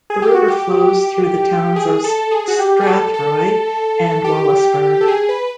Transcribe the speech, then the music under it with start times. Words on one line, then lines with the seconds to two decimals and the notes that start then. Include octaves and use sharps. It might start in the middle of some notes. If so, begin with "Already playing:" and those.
The river flows through the towns of Strathroy and Wallaceburg.
0.10 G#4
0.22 G4
0.35 F#4
0.48 G4
1.76 G#4
2.04 A4
2.31 G#4
2.48 F#4
2.59 G4
2.81 G#4
2.87 A4
3.14 A4
4.24 G4
5.01 A4
5.08 G#4
5.29 B4